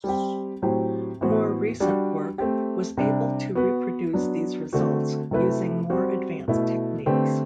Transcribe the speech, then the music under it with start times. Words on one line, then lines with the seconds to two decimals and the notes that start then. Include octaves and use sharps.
More recent work was able to reproduce these results using more advanced techniques.
0.04 G3 C4 G4
0.62 A2 F#3 C4 G4 C5
1.21 A2 E3 B3 F#4 C5
1.80 G3 D4 F#4
2.38 A3 C4 G4
2.97 C3 G3 D4
3.55 B3 F#4 B4
4.13 F#3 B3 D4
4.73 D3 A3 C4 F#4
5.31 C3 F#3 A3 E4 B4
5.90 G3 C4 F#4 C5
6.48 B2 A3 E4
7.06 D3 A3 C4 G4 B4